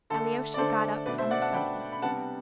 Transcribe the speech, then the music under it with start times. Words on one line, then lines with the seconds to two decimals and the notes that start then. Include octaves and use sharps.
Alyosha got up from the sofa.
0.10 D3 A3 D4 A4
0.54 D5
0.58 D3 A3 D4 A4 C5
1.06 B2 A3 D4 B4 D5
1.18 C5 E5
1.31 D5 F#5
1.42 F#5 A5
1.54 B2 A3 D4 G5 B5
1.92 B5
2.02 C3 G3 B3 D4 F#5 A5